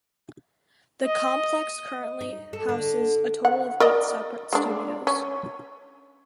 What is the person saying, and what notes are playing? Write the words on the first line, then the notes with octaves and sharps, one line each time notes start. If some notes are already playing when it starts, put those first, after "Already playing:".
The complex currently houses a total of eight separate studios.
D#5
D#4
A4
D3
F#5
A#4 D5 D#5
G#3 D4
C#4